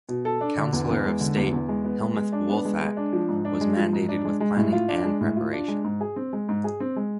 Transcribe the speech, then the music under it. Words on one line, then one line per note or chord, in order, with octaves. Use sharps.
Councilor of state Helmuth Wohlthat was mandated with planning and preparation.
B2
A4
D4
D3
E2
E2
G#3
D3
E2
E2
G#3
B3
G#3
G#3
D4
B3
G#3
G#3
D4
F3
G#2
D4
G#3
F3
G#2
D4
G#3
G#3
A2
F4
D4
G#3
A2
F4
D4
G#3
G#2
G#4
C4
G#3
G#2
G#4
C4
G#3